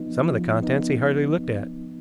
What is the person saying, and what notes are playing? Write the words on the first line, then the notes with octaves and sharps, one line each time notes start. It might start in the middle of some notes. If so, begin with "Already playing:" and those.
Some of the contents he hardly looked at.
Already playing: F3 B3 D#4
F3
B3 D#4